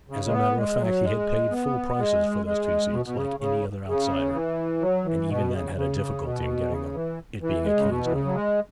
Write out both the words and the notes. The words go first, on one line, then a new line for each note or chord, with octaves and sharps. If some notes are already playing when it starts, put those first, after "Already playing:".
As a matter of fact he had paid full prices for those two seats, like any other outsider, and even then had a difficulty in getting them, it being a King's night.
C#3
G#3
B3
G#3
F#3
G#3
B3
G#3
G#3
B2
B2
C#3
C#3
C#3
E3
F#3
E3
B2
C#3
C#3
B2
C#3
E3
E3
G#3
C#3
B2
E3
C#3
F#3
G#3